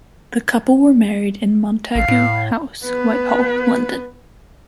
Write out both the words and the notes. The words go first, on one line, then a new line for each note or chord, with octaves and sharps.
The couple were married in Montagu House, Whitehall, London.
A1 F5
A2
B3 B4